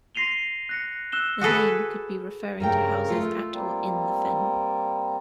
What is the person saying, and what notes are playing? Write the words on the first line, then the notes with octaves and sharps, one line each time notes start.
The name could be referring to houses at or in the fen.
C6 A#6 C7 D#7 F7 G7
F#6 A#6 C#7
E6 F#6 E7 G7
F#4 G#4 A4 B4
G2 C#3 A3 A#4 G5 A#5
A3 F4 A4
G3 A#3 C4